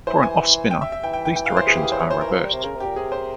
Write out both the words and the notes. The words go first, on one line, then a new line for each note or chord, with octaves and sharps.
For an offspiner, these directions are reversed.
E3 C5
G#5
G5
E5
E5
E3 G5
G5
G5
G5
F5
C5
G#4
G4
G#4
C5
C#5
C5
A#4
E3
F3
G3
C3
C#3 A#4
C3
A#2 G4
C3 G#4
C5